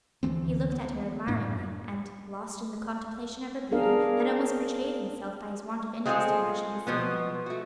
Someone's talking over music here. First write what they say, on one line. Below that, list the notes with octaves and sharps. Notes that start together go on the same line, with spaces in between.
He looked at her admiringly, and, lost in the contemplation of her beauty, had almost betrayed himself by his want of interest in what she was saying.
D2 E3 G#3 C4
B3
F#2 A2 D4
B3 D4 G#4 A#4 F5
G#3 C4 F4 G#4 A4
B2 F3 B3
A3 F#4